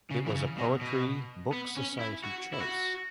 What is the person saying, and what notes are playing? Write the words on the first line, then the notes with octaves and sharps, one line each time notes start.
It was a Poetry Book Society Choice.
C#3
E3
C#3
B2
B2
B3
C#4
E4
F#4
E4
F#4